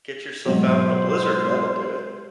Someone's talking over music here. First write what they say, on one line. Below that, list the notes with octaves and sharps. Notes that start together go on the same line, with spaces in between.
Get yourself out in a blizzard, that'll do it.
G#2 B2 F#3
C5